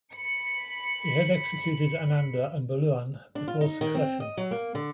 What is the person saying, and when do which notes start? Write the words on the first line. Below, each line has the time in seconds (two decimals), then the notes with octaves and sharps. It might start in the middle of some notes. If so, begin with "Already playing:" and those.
He had executed Ananda and Bulughan before succession.
0.14 B5 C#7
3.35 D4
3.48 F4
3.61 D#4
3.81 D#3
3.95 C4
4.20 D#5
4.37 F#3
4.51 A#3
4.75 D3